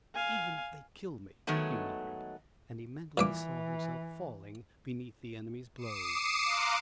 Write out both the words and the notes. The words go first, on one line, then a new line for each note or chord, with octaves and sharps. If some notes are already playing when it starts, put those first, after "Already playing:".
"Even if they kill me," he muttered, and he mentally saw himself falling beneath the enemy's blows.
F5 G#5
D#3 F#3 G#3 A3 B3
A#2 E3 B4 D6
D6 D#6 C7 C#7 D#7 E7
F5 A#5 C6 D6 F#6